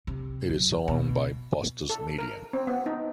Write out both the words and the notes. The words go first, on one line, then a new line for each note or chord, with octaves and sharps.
It is owned by Bustos Media.
C3
F#2
B2
A4
A#4
C4
B3
D#4